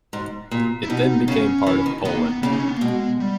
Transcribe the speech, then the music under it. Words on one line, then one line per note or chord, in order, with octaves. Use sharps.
It then became part of Poland.
G#2
A#2
E4
B2 D#4
C#3 C#4
E3
D#3
D#3 B3
A#3
B3
C#3 A#3
D#4
C#4
B3
A#3
B2 G#3
G3